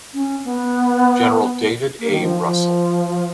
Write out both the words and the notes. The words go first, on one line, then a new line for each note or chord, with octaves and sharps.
General David A. Russell.
C#4
B3
A#3
D#3
F3
F3